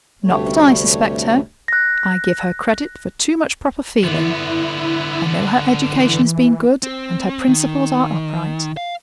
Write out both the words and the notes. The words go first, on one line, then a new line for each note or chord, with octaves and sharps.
Not that I suspect her--I give her credit for too much proper feeling: I know her education has been good, and her principles are upright.
D2 G2 C3 G3 A3 C#5
F#6 A#6
D3 B3 E4
E3
C4
D#3
F5